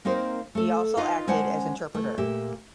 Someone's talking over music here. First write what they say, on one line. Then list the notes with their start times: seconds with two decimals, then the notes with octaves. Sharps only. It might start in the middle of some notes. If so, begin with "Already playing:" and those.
He also acted as interpreter.
0.05 A#3 C4 D#4 A#4 C5
0.55 A3 A4
0.97 D#4 F4 B4 D#5 F5
1.27 G#3 C#4 C5 D5 F#5 A5
1.94 A3
2.18 A#2 G4 E5